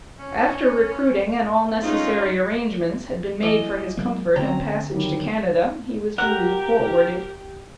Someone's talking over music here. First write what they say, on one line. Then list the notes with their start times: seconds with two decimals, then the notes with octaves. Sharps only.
After recruiting, and all necessary arrangements had been made for his comfort and passage to Canada, he was duly forwarded.
0.20 C#4
1.82 G#3 C#4 D#4 F4
3.43 E3 D#5
3.97 F#3 G#3 A#3
4.36 D3 C4 C#4 A#5
4.92 D#3 F#3 G3
6.18 G4 A#4 F#5